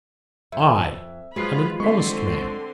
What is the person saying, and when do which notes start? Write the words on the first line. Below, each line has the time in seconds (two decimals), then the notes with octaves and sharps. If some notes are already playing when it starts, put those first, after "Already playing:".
I am an honest man.
0.52 F2 E5
1.36 F3 F#3 G#3 F4 B4 B5 C7
1.80 D3 G#3 C4 C6 C#6 B6